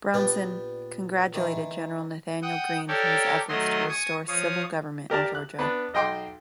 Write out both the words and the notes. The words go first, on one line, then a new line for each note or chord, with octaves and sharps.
Brownson congratulated General Nathanael Greene for his efforts to restore civil government in Georgia.
A#2 B3 D4 G4 B4
D#3 E3
F#5 G5 D#6
G4 A4 A#4 C#5 D5 G5
D#3 F#3 A3 D#5 C6
G#5 C#6 D#6
F3 C#5 F5 D#6
G4 A#4 D5 A5
F#6
B3 D4 B4
B1 D#5 G5 C6 D6